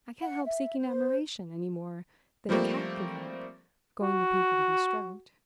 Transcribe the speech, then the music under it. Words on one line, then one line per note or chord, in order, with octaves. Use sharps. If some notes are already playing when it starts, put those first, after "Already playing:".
I can't help seeking admiration any more than a cat can help going to people to be stroked.
F#5
E5
C5
F3 G3 A3 A#3 C4
F#4